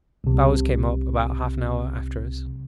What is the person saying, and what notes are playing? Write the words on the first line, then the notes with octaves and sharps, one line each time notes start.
Bowers came up about half an hour after us.
C2 C3